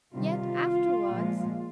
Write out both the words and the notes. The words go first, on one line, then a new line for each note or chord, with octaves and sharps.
Yet afterwards--?
C3 D#3 G3 F4
A#2 F3 G#3